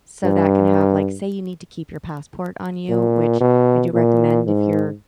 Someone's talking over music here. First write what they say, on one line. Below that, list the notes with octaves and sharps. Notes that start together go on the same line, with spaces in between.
so, that can have, like say you need to keep your passport on you, which I do recommend if you're
G2
A#2
B2
A#2
G#2